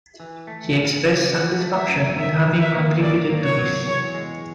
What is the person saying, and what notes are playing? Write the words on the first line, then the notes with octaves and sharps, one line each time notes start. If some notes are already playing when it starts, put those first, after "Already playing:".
He expressed satisfaction in having contributed to this.
E3
A3
C#3
C#3
F3 F#5
A3
E5
F#2
D#3 E5
D#3
E5
A#3
F#3 D5
A#3
C#5
F#3
E2 C#5
G#3